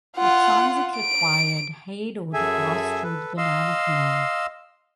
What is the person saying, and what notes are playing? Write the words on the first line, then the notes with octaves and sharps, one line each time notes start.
The transit required "Haddo" to pass through the Panama Canal.
F4 F#5
D7
F#2 G#4 A4 E5 G#5
A4 B4
D#5 F5 C6 E6